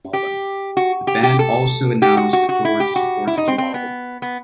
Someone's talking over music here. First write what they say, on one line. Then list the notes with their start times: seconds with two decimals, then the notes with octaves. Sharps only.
The band also announced a tour to support the new album.
0.13 G4
0.77 F#4
1.07 G4
1.23 G4
1.39 A4
2.02 G4
2.17 F#4
2.33 F#4
2.49 F#4
2.65 E4
2.80 G4
2.96 F#4
3.27 E4
3.38 D#4
3.48 C4
3.58 C4
3.74 B3
4.22 B3